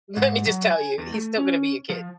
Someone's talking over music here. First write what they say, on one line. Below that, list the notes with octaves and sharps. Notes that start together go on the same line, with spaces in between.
Let me just tell you, he's still gonna be your kid.
G#2
F#3
G#5
E2
A3
C#4
F3